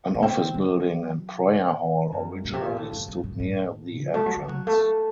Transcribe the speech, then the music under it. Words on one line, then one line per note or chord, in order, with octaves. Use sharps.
An office building and prayer hall originally stood near the entrance.
A#3
C4
F#3
A#2
F#2
A#2
C3
A#2
A2
F#2
F#2
A2
A2
F#3
A3
F#3
A3
F#3
A3